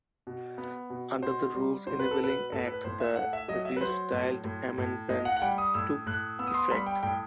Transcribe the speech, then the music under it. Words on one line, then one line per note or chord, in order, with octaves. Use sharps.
Under the Rules Enabling Act, the restyled amendments took effect.
B2
B3
B2
B2 C5
G3
B2 C5
B4
A4
B2 B4
A2 A4
B4
A2 C5
E5
A3 F#5
E5
F#3 D#5
E5
B4
F#3 C5
A2
A2
A2
A2 D#5
F#5
F#5
G3 G5
D#6
A2 E6
A2 F#6
B3 E6
D#6
C6
G3 B5
G5
A2 G5